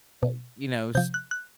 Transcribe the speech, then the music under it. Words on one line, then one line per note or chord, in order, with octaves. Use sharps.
uh, you know s
B2
C3 F3 G6
F#6
F#6